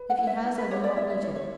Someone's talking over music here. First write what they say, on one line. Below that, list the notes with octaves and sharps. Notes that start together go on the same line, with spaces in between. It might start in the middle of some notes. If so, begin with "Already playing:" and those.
If he has, I will not meet him.
Already playing: B4
F#5
E4
E5
E4
B4
G4 C#5
D5
E4 E5
E5
E4 C#5
C#5